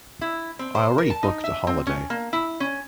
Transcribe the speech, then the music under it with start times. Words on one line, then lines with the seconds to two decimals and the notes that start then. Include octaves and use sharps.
I already booked a holiday.
0.21 E4
0.59 C4
0.75 C5
0.98 A#4
1.10 A5
1.23 D#4
1.44 E5
1.67 C4
1.87 C#4
2.10 A#3
2.33 E4
2.60 C#4